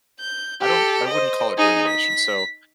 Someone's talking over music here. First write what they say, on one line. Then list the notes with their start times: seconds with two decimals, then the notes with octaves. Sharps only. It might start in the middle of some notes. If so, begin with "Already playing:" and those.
I don't I wouldn't call it rumination. So,
0.20 G6
0.61 G4 A4
1.09 C5 D#5
1.58 D#4 G#4
1.88 B6